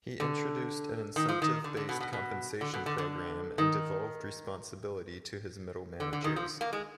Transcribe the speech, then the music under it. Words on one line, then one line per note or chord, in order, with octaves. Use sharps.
He introduced an incentive-based compensation program and devolved responsibility to his middle managers.
D3
D#3
F3
D#3
D3
D3
B2
B2
B2
D3
B2
D3
D3
D#3
D3
D3
D#3
F3
A#3
G#3